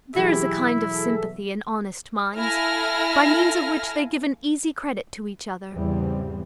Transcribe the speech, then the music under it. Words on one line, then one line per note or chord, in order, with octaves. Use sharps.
There is a kind of sympathy in honest minds, by means of which they give an easy credit to each other.
B2 E3 F#3 E4 G4 G#4 E5
G#4 A4
E4 A4 F5 G#5 F6 A#6
E2 G#2 C#3 E3 G3 C4